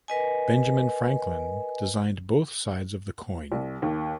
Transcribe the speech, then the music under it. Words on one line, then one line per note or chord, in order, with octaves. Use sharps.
Benjamin Franklin designed both sides of the coin.
A#4 B4 D#5 G#5
C2
D#2